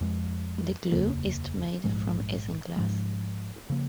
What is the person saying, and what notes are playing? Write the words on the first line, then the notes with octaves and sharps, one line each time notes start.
The glue is made from isinglass.
F2 F3 G#3
F1 D#2 C#3 A#3
A#1 G#2 F3 G#3
G#2 F3 G#3
C#3 F3 A#3